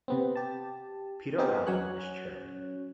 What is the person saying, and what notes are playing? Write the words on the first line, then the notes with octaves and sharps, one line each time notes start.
Peter Allen is chairman.
C3 B3 C4
G4 A5
B3 C4 D#4 G4 G#4 A#4
F#3 C#4 C#5 F#6